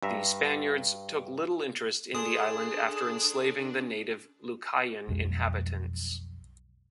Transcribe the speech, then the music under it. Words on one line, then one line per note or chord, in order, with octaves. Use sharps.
The Spaniards took little interest in the island after enslaving the native Lucayan inhabitants.
G2 E5 A#5
D4 G#4 A4 G#5 C6 D#6
B1 F2 G#3